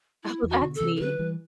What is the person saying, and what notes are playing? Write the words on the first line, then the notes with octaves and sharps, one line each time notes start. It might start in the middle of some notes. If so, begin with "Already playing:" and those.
Oh, that's neat.
E4
E2
F#4
B2 D3
A4
C3 E3
A4
D3 F#3 B4
E3 G3